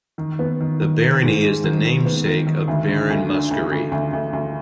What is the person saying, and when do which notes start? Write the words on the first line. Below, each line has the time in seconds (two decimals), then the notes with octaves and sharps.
The barony is the namesake of Baron Muskerry.
0.18 D#3
0.39 B3
0.61 D#3
0.80 D#3
1.02 D#3
1.23 G#2
1.43 G#3
1.64 D#3
1.85 D#3
2.06 B3
2.26 D#3
2.47 D#3
2.68 D2
2.88 D3
3.10 D2
3.29 D3
3.51 D2
3.72 D2
3.92 D2
4.13 D2
4.33 D2